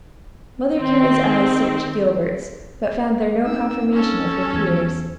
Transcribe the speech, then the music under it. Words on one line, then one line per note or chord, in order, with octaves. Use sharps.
Mother Carey's eyes searched Gilbert's, but found there no confirmation of her fears.
D#3 C4
C4 D#4 E6
C#4 A4
E2 E3 G#6